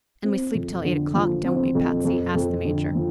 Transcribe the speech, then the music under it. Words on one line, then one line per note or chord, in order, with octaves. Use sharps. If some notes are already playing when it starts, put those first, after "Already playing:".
"And we sleep 'till eight o'clock, don't we, Patsy?" asked the Major.
C4
F2
D3
F3
C4
F2
F2
F2
D3
F3